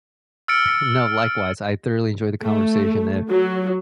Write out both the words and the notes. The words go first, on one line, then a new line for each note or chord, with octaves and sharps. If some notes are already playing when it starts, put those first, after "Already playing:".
no. Likewise. I thoroughly enjoyed the conversation, uh,
E6 F6 A6 C#7 D7
A3
F#3